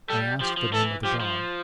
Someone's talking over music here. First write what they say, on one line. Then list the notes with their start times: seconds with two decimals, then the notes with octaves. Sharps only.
I asked the name of the dog.
0.09 G3 A4
0.41 F3 G4
0.57 F3
0.73 E3 A4
1.04 F3 G4
1.20 F3